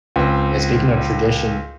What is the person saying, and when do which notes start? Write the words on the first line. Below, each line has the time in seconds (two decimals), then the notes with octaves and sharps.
eh, speaking of tradition,
0.16 C#2 C4